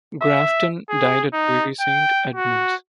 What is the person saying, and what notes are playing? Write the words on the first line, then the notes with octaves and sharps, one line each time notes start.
Grafton died at Bury Saint Edmunds.
E5
G#4
D#4
G5
F#4